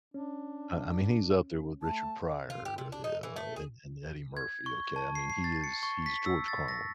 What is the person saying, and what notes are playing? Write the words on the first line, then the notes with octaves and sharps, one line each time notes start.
I I mean, he's up there with Richard Pryor, eh, uh, and and Eddie Murphy, okay? I mean, he is he's George Carlin,
C#4 D4
A3 A5
F4
G4
C3
D4
D#4
E3
A3
G#4
G#6
C#6
A5
C7
C7
A6
C#7
C#6
B6
E6
A6
A#6